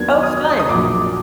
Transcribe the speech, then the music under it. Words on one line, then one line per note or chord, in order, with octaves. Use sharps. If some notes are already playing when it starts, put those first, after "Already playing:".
Oh, fun.
Already playing: D#2 D#3 F#3 B3 D4 G#6
D#6
D#6
A#1 A#2 F#3 D6